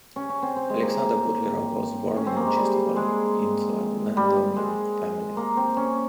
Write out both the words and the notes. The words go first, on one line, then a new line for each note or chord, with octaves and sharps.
Alexander Butlerov was born in Chistopol into a landowning family.
C#4
C#4
C4
C4
G#3
A#3
C#4
C4
A#3
G#3
G3
G#3
G3
G#3
A#3
C4
C#4